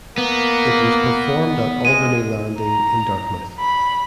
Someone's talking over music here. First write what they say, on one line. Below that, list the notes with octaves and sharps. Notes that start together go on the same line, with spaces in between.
It was performed at Alderney Landing in Dartmouth.
A#3 B3
G#3 D#7
A#5
B5